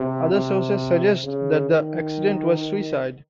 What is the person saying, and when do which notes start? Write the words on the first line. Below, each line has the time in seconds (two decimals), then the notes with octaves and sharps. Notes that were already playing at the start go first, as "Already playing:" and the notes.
Other sources suggest that the accident was suicide.
Already playing: C3
0.31 C3
1.23 C#3
1.70 D#3